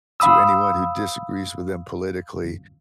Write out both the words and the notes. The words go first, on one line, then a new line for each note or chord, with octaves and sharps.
to anyone who disagrees with them politically,
F5 B5 D#6 E6